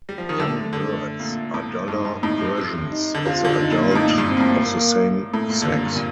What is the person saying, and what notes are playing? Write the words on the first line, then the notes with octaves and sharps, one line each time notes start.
Young birds are duller versions of the adult of the same sex.
G3
F3
D#3
D3
C3 A3
D3
A#2
A2
G2 D#4
G2
A2 D#4
C3
C3
D#4
D3
C3 F4
D3
C3
D#4
A#2
A#2
A2 D#4
G2
C4
A#2
A2
A#3
A2 A3
A#2
D3
C3 A#3
G2
A#2